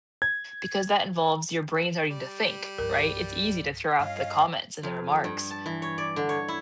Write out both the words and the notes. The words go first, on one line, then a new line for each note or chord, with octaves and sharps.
because that involves your brain starting to think, right? It's easy to throw out the comments and the remarks,
G#6
G3 D5
C2 G2 F3 A#4
G2 C#4 F4 D#5 F5
F2
G2
A5
E3
C#5
D5
D3
C#5
E4